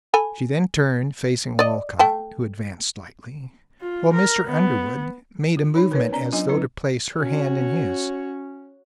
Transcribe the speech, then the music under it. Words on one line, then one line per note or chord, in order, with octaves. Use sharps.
She then turned, facing Walcott, who advanced slightly, while Mr. Underwood made a movement as though to place her hand in his.
A4 G#5 B5
D5 D#5
A3 G5 A5
F4
A#4
B3
F4
D#4 F#4 C#5 B5
A#4 B4 C#5
B3 C#4 D5 A#5
F#3 D4 F4 D#5 G#5
F#3 C#4 E4 B4
C#4 F#4 C#5